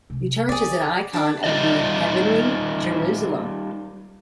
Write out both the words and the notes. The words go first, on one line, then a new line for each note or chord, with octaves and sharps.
The Church is an icon of the heavenly Jerusalem.
C3 F#3
C4 G#4 D5
D4 A5 D6
G3 D#4 F4 D5 D#5